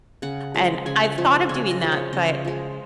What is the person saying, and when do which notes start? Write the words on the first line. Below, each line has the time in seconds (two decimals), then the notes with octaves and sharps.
and I've thought of doing that, but,
0.22 C#3 F#5
0.54 F3 G#3
0.86 C#3 G#5
1.18 F3 G#3
1.49 C#3 G#5
1.71 D#5
1.81 F3 G#3
1.92 C#5
2.13 C#3 D#5
2.45 F3 G#3